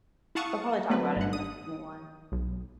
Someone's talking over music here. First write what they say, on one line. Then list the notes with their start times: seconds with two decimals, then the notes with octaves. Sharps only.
They'll probably talk about it in this new one.
0.35 E4 F5 F#5 A5 C#6 D#6
0.89 F#3 A3 B3 C4 B4
1.16 G1 G2 F#5
1.33 D#6
2.32 B1